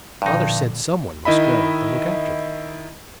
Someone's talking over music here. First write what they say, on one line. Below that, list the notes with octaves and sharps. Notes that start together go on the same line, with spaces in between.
Father said some one must go and look after them.
G2 A#2 D3 F3 D#4
D#3 E4 D#5 E5 B5